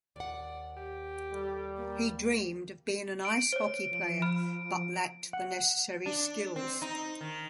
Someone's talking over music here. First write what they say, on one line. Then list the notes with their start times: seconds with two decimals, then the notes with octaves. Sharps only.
He dreamed of being an ice hockey player but lacked the necessary skills.
0.16 D#2 D5 F#5
0.77 G4
1.32 G3 A4
1.77 A#3
3.25 D7
3.53 C5 C#5
3.91 F3
4.22 B5 F6
5.33 F#5
6.06 D4
6.56 C4
6.82 D#4
7.21 D#3